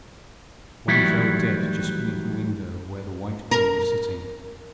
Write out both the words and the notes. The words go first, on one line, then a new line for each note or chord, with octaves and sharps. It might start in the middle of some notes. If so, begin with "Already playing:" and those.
One fell dead just beneath the window where the white Queen was sitting.
A2 D#3 E3 F#3 G3 E4
A#4